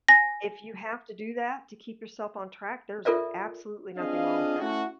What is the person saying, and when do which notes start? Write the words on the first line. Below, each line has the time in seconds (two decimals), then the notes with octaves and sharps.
If you have to do that, to keep yourself on track, there's absolutely nothing wrong with that.
0.08 G#5 A#6
3.05 F4 A4 A#4 D5 E5
3.97 C4 D4 F4 G#4 D#5 F5
4.59 A3 C#4 E4 F#4